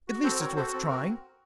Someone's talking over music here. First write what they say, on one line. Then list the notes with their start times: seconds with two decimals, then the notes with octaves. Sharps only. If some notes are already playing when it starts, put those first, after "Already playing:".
At least it's worth trying.
0.08 F#4
0.24 C4 A4 C5
0.40 F#4 A#4 C#5
0.56 F#4 A4 C5
0.72 C4 A4
0.89 F#4 A#4